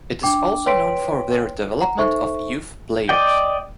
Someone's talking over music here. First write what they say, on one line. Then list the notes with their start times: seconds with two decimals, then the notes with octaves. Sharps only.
It is also known for their development of youth players.
0.23 D4 G5 D6
0.66 B4 C#5 G5 C6 B6 D7
1.81 F#5 A#5
1.99 D#4 A4 C5 E5 C#6
3.09 D5 D#5 G5